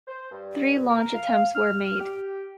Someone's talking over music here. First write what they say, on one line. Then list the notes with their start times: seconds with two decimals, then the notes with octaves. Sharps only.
Three launch attempts were made.
0.07 C5
0.31 G2
0.89 A#4
1.15 F5
1.55 F6
1.99 G4